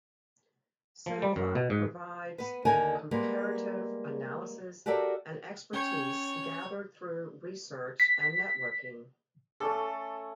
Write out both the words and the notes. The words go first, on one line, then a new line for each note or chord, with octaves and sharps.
Cedefop provides comparative analyses and expertise gathered through research and networking.
F3
G3
F#2
B2
G#2
B3 B4
D#2 D3 D#4 A#4 G#5
G3 G#3 A#3 B3
F#4 G4 A4 A#4 D5 E5
C#4 C#5 G5
B6
A3 C#4 A4 D6